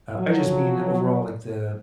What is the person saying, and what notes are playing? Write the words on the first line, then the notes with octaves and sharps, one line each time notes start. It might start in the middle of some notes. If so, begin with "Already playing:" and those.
uh, I just mean overall like the
F3 F#3